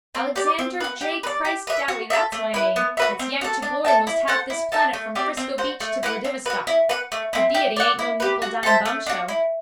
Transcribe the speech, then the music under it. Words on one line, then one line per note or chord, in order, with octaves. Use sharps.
Alexander J Christ Dowie, that's my name, that's yanked to glory most half this planet from Frisco beach to Vladivostok. The Deity aint no nickel dime bumshow.
C4
G4 D5
C4
F#4 B4
G4
B4
D5
G4
B4 E5
F#4
A4 E5
A3
E4 B4
B3
F#4 B4 E5
C4
F#4 A4
D4
A4 E5 A5
E4
A4 C5 F#5
E4
A4 E5 A5
A3
C4 G4 D5
C4
F#4 C5
A3
E4 B4 F#5
C4
F#4 B4
E4
B4 F#5
A3
C4 E4
G4
D5 F#5
E4
G4 B4
F#4
A4 C5 E5
A3
D4 F#4
E4